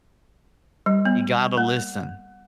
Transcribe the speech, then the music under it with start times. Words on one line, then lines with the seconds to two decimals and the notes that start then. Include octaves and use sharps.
You gotta listen.
0.86 G3
1.05 B3
1.58 A#3